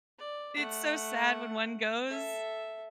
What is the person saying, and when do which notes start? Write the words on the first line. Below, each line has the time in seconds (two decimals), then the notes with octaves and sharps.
It's so sad when one goes,
0.18 D5
0.56 A3 F#5
2.08 A4 E5